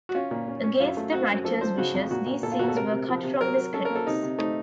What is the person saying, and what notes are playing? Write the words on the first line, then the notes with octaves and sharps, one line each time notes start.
Against the writer's wishes, these scenes were cut from the scripts.
F#4
C#4 F4
A#2
C#4
C#4
F#2 F4
A3
C4 F#4
F#2
F3 A4
F3 C5
C#3 F#4
F2
A#2 F#4
A#2
A#2 A4
F4
A#2 F#4
A4
C3 A#4
C3
F3
C3
F#3 A#4
F#3
C#4 A4
A#3 A#4
A4
C3 D#4
C3
A3 D#4